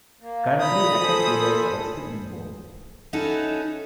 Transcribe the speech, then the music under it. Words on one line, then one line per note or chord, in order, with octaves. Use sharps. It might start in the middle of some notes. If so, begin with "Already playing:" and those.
Currently active players are listed in bold.
A#3
A#2 A#5 B5 D#6
A4 C5 G#5
C#4 D#4 E4 F#4 A4